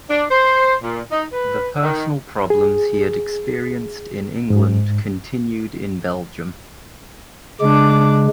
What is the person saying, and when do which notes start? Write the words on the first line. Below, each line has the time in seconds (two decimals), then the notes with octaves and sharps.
The personal problems he had experienced in England continued in Belgium.
0.10 D4
0.31 C5
0.82 A#2
1.12 D#4
1.33 B4
1.83 D#3
2.50 G#4
4.50 G#2
7.61 C#3 G#3 D4 D6